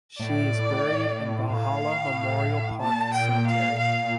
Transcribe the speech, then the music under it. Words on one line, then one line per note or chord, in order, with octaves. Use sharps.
She is buried in Valhalla Memorial Park Cemetery.
A2 D5
A2 F5
A#2 A5
G5
F5
F5